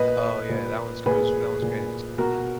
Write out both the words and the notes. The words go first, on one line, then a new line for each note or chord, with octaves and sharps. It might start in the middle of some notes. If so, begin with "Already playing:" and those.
Oh yeah, that one's cruz that one's crazy too.
Already playing: A#2 B4 D#5
A#2
A#2 G#4 B4
A#2
B2 F#4 A#4